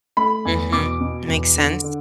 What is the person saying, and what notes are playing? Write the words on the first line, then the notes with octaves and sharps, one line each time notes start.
Mhm. Makes sense.
A3 B5
E2
B2 D6
B2
E2
D3
D3